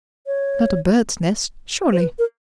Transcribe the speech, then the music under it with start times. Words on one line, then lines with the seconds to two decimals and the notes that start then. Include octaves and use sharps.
Not a bird's nest, surely.'
0.27 C#5
1.92 C5
2.01 B4
2.19 A#4